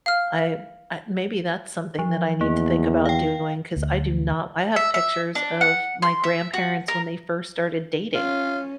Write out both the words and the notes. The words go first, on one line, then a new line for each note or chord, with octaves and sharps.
I I maybe that's something that I need to think about doing, 'cause I do not I have pictures of my grandparents when they first started dating
F5 F6
F3
E2 A#3
F5 G5
D2
E5
E5
D4
F#5
C6
E5
F#4
A#4
C#4 F4